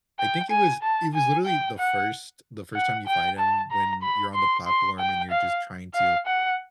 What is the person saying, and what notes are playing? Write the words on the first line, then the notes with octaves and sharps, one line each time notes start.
I think it was it was literally the first the first time you fight him, when you're on the platform and you're just trying to
G5
G#5
A5
G#5
G5
F#5
F#5
G5
A5
A#5
B5
C6
C6
G5
F5
F5
F#5